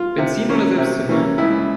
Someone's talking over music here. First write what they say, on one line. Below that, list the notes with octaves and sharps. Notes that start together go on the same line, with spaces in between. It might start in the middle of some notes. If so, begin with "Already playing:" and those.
Benzin oder Selbstzünder?
Already playing: F4
C3
E3 A#3 C#4
C3
E3 A#3 C#4
C#2 E4